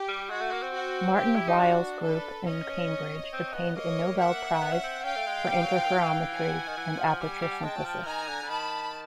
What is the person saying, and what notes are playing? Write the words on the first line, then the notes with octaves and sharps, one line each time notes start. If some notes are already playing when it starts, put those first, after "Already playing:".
Martin Ryle's group in Cambridge obtained a Nobel Prize for interferometry and aperture synthesis.
Already playing: G4
G3
G#3 F#4
A3
A#3
C4
F#4
G4
E4
D#4
D4 F#4
A4 B4
C#4 C#5 D#5
C4
B3
A#3 C#5 D#5
E5 F#5
B3
C#4
C4
C#4 F5 G5
A3
G#3
G3
F#3
F3
D#3
E3
F#5 G#5
D#3
E3
F3
G3 F#5 G#5
G3
G#3 G5 A5
F#3
F3
D#3 G#5 A#5
D3
D3
D#3 A5 B5